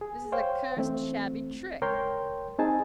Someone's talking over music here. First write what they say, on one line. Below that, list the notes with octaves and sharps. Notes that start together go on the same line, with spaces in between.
This is a cursed shabby trick!
G#4
C5 C#5 F5 G5
E3 A3 C4
C#2 A#4 C#5 G5 C6 G6
C4 D#4 G#4 G#5 A5